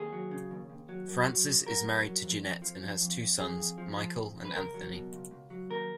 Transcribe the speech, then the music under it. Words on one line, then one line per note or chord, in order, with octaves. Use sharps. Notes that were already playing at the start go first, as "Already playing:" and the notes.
Francis is married to Ginette and has two sons, Michael and Anthony.
Already playing: D#2 G#4
F#3
C#3
D#2
D#2
F#3
F#2
F#3
C#3
F#2 A#4
F#2
F#3
F2
F2
F3
F3
F2
F2
F2 G#4
F2
F3
F3
F2
F2
B4
C#2 A#4
F#3
B2
C#2
C#2
F#3
D#2 A#4